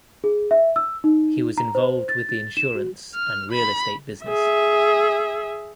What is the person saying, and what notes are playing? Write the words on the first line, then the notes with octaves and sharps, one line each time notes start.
He was involved with the insurance and real estate business.
G#4
E5
E6
D#4
A#5
C5
A6
A6
E7
F#4
F6
B5
G#4 E5